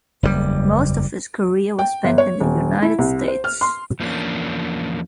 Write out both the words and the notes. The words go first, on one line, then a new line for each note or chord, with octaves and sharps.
Most of his career was spent in the United States.
F#1 E2 B2 G3
G5
G1
C#5
D#1
E4
C2
C5
F6
C6
E2 F3 A#3 C#4 D4